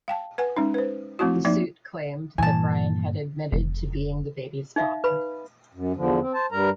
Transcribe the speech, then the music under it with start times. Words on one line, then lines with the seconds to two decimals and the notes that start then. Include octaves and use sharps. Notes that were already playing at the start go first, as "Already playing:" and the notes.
The suit claimed that Brian had admitted to being the baby's father.
0.08 F5 G5 A5
0.38 B4 F#5 G#5
0.57 G#3 C#4 D#4
0.74 B4 C5
1.19 F3 A3 C4 E4 F#4
1.45 F3 A#3 D#4 D5 E5
2.38 G2 A#2 E3 G#5 A5
3.52 F1
4.76 D#4 E5 F5
5.04 B4 B5
5.75 F#2
5.96 E2 D3 F3
6.21 C4
6.34 C5 A5
6.52 G2 G3 A#4 A#5